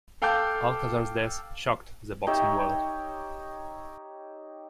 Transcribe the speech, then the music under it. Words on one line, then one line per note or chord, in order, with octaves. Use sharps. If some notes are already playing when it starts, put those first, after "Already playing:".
Alcazar's death shocked the boxing world.
A4 F5 G5 A5 D6 G6
D#4 G4 C#5 E5